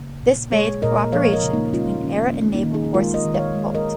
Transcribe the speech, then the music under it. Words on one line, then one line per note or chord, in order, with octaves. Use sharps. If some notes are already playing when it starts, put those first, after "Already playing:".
This made cooperation between air and naval forces difficult.
Already playing: C#3 A#3
A#2
G#3 G#4 C#5
A#2 A#4 D#5
F3 C#5 F5
A#4 D#5
C#3
A#3 D#4
G#3 C#4 F4
D#3 C#4
A#3
G#3 C#4
A#3 D#4
D#3
D#4 G#4
G#4
G#3 F4 A#4
A#4 D#5
D#3
C#5 F5
G#3
A#4 D#5